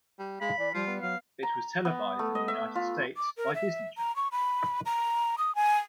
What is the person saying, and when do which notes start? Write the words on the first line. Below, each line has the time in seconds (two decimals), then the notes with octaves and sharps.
It was televised in the United States by Disney Channel.
0.19 G3
0.41 G#3 F5 B5
0.59 E3 D5
0.74 F3 G3 F4
0.87 B3
1.02 F#3 F5
1.43 A#5
1.85 B3
2.19 A3
2.35 D#5
2.48 E5
2.75 F4
3.17 D6
3.37 A#4
3.54 E5
3.98 A#5
4.16 C#6
4.32 B5
4.86 A#5
5.38 D#6
5.55 G#5